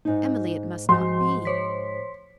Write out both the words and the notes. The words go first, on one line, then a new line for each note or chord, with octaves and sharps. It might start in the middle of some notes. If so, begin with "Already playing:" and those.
"Emily, it must not be."
G#2 D#4
G#2 F3 F#4 C6
C5 C#5 B6